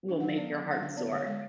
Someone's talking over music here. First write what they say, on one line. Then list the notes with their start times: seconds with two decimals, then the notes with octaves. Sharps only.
will make your heart soar,
0.09 D4
0.20 F#3 F#5
0.29 F5
0.37 B3 D5
0.52 F#3
0.67 D4 F#5
0.82 D3 F5
0.97 B3 D5
1.11 D3 C#5
1.26 G#3 F5